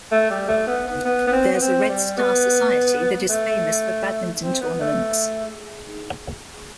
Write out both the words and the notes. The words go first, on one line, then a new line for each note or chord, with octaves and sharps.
There's a Red Star Society that is famous for Badminton tournaments.
A3
G3
A3
B3
B3
B3
B3
C4
B3
C4
G3
B3
A3
C4
B3
A3